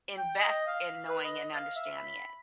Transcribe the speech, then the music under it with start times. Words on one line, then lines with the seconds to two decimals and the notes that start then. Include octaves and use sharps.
invest in knowing and understanding it.
0.17 G5
0.39 D#5
0.67 F5
1.08 B4
1.24 D#5
1.55 F5
1.76 E5
1.97 B5